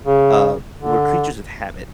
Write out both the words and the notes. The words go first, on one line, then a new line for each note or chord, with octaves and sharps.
uh, we're creatures of habit,
C#3
D3